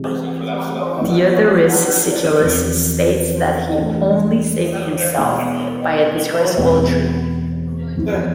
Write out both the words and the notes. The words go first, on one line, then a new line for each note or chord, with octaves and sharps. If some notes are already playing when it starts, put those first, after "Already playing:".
Diodorus Siculus states that he only saved himself by a disgraceful treaty.
Already playing: C3 E3 G#3
F3 B3 E4
E2 C3 F3
E3 A3 D4
B2 G#3 B3 E4
E2 B2 G#3 C4
F2 E3 B3 E4